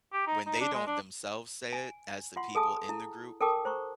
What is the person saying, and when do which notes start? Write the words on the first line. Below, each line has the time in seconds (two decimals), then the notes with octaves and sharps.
when they don't themselves say it as the people in the group,
0.13 G4
0.27 D#4
0.46 D#4
0.60 D4
0.73 G#3
0.87 D4
1.73 G#5
2.36 F4 F#5 C6
2.55 G#4 A4 G#5 A5 D#6
2.89 E4
3.41 A4 A#4 G5 A5 D6 D#6
3.65 C5 A#5 C#6